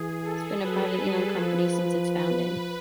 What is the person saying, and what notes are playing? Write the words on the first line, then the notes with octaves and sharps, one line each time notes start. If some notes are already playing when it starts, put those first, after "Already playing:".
It's been a privately owned company since its founding.
Already playing: E3 G#4
A4
F#3 B4
G3
F3
B4